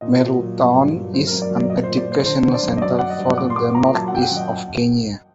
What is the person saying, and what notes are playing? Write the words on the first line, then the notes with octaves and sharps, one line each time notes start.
Meru town is an educational center for the northeast of Kenya.
A#2 D#5
A#2
F#3
G2
G2
F#3
F#2 C5
A#4
F#2
D5
F#3
D5
A#2 D#5
C5
A#2
D5
A#2 C5
D3 C5
D3 C5
D5
F#2
D#5
F#3 D5
F#3 F#5
D#5
G2
A#2 D6
C6
A#2 D6
A#2 A#5
F#3 A5
F#5
F#2 G5
F#5
F#2
D#5